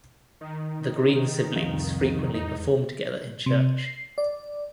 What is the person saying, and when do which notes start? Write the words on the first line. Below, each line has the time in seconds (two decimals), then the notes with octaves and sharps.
The Green siblings frequently performed together in church.
0.41 D#3
1.56 F1 C2 F3 C4 D#5
2.34 E2 G#2 D#4
3.46 C3
3.78 C7
4.18 D5